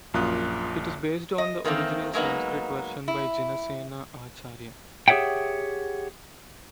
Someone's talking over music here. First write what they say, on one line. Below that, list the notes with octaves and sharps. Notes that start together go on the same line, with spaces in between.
It is based on the original Sanskrit version by Jinasena acharya.
A#1 F#2 A#3 F4 D#6 F#6
D#5
E2 D#3 A3 A#3 C4
F#3 G#3 A#3 B3 D#4
E4
G4 G#4 C#5 E5 F#5 G5